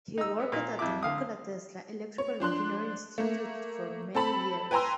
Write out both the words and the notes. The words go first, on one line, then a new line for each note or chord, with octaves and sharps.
He worked at the Nikola Tesla Electrical Engineering Institute for many years.
D#4 E6
B3
A#2
F2 E4 D6
D2 F5 D#6
C#5
F3 D4 C6 F#6
A3 A#3
C4 A4 A5 B5
B4 G5 G#5 A#5 C6 E6